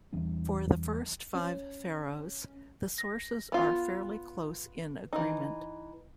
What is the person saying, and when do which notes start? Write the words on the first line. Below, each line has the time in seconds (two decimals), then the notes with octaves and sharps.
For the first five pharaohs, the sources are fairly close in agreement.
0.13 E2 E3 G3 D4
1.35 C#4
2.98 A#6
3.52 B3 F4
5.13 E3 D#4